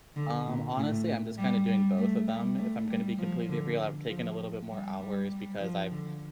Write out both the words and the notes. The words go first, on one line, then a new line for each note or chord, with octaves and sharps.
Um, honestly, I'm just kinda doing both of them. If I'm gonna be completely real, I'm taking a little bit more hours because I've
D3
A#2
A2
G3
G3
A3
G3
A3
G3
F3
D3
F3
G3
G3
G3
F3
D3